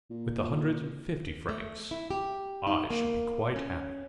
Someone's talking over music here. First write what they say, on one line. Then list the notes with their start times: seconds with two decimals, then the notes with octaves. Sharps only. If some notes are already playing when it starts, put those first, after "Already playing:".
"With a hundred and fifty francs I should be quite happy."
0.11 A#2
1.49 A3
1.91 E4
2.11 G4
2.67 D#4
2.90 A#3
3.56 C#4